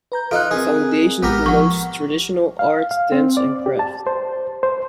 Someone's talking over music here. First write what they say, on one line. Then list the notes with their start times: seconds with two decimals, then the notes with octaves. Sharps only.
The foundation promotes traditional art, dance and craft.
0.12 B4 A#5 G6
0.31 D#4 F4 A4 F#6
0.51 C4 G#4 A#4 G#5
1.23 A1 G#3 B3 G4 A#4 F6
1.46 F3 F#5 C#6
2.59 F5
2.91 F5
3.12 C4
3.37 D5
3.66 G4
3.79 A5
4.07 C5
4.63 C5